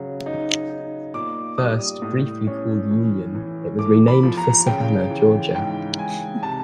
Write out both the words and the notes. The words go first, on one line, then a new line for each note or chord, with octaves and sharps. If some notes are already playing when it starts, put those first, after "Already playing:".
First briefly called Union, it was renamed for Savannah, Georgia.
Already playing: C#3 F#3
D#4
D#4
A#2 D6
G3 D#6
A2
C#4
E3
E3
A3 D6
B5
F3
A#5
C#3 G5
E3
G#2 G5
G#2 G#5
C3 A5